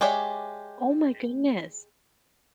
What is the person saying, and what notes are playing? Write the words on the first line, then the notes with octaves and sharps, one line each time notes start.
Oh, my goodness.
G#3 G4 C#5 D5 E5